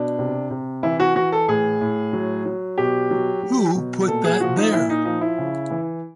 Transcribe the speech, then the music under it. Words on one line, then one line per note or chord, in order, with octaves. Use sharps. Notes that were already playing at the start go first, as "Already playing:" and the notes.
Who put that there?
Already playing: B2 D4
C3
C3
E3 E4
F#4
E3 F#4
A4
A2 G#4
A2
F#3
F#3
B2 G4
F#3
F#3
B2
A#2 A4
G#4
F3 F#4
D#4
A#2 E4
D#4
F3 D#4
E4
C#3
E3